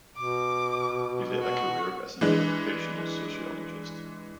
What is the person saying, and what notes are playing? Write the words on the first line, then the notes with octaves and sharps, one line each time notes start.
He led a career as an occupational sociologist.
B2 D6
F#4
E3 G#3 D4